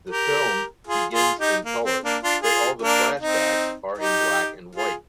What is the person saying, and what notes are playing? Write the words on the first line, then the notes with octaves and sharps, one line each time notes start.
The film begins in color, but all the flashbacks are in black and white.
G4 A#4
F4 G#4
F4 G#4
D#4 G4
A#3
C4
A#3 D4
D4 F4
F4 G#4
A#3 D4
C4 D#4
D#4 G4
F4 G#4